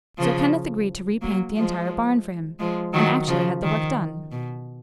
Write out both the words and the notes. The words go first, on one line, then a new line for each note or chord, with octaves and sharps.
So Kenneth agreed to repaint the entire barn for him, and actually had the work done.
C#3 F3
F#3 A#3
F3 G#3
F3 G#3
D#3 F#3
C#3 F3
D#3
B2